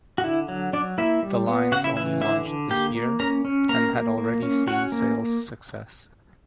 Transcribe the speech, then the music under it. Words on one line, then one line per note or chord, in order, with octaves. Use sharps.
The lines only launched this year and had already seen sales success.
F#4
D3 E4
F#3
F#3 D4 D5
A#3 E4 E5
G3
B3
C#3 F#4 F#5
E4 E5
E3 E4 E5
D3 E4 E5
D3
A#3 G4 G5
A#3
C#4 A#4 A#5
C#4
A#3 A#4 A#5
A#3
A#3
C#4
C#4 F#4 F#5
A#3